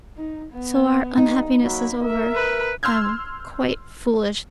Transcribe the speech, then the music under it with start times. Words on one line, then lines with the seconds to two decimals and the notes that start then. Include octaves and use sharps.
So our unhappiness is over! I am quite foolish.
0.17 D#4
0.53 B3
1.17 G2 D#4
1.63 F#3 A#3 B5
2.02 A#4 E5
2.36 B4
2.83 C6 E6 F6 G6 G#6